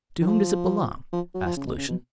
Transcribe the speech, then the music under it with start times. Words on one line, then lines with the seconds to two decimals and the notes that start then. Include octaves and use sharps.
"To whom does it belong?" asked Lucian.
0.21 D#3
0.27 F3
1.13 F3
1.34 F#3
1.45 F3
1.56 C#3
1.67 B2
1.77 C#3
1.88 B2